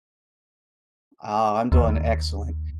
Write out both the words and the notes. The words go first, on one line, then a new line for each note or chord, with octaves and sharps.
Ah, I'm doing excellent.
D#2